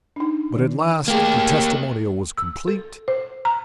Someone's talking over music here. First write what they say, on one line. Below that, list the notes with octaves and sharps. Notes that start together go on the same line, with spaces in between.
But at last the "testimonial" was complete.
D4 D#4
D#3
A3 A#3 G4 G#4
E6
A4
C5
A#5